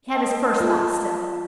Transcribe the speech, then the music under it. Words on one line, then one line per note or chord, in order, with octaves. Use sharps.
He had his first laugh still.
D#5 A5
F4